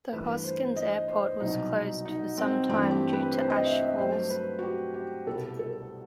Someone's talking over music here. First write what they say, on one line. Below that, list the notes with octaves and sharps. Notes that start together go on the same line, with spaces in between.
The Hoskins airport was closed for some time due to ash falls.
G2 E3 A3 B4
C5
D#5
C5
C2 B2 F#3 D#4
D#4
C4
G2 E3 A3 C4
G4
B4
C5
D#5
E5
D#5
G2 F#3 A3 C5
B4
F#4
G4
G4
C2 B2 G3 A4
A4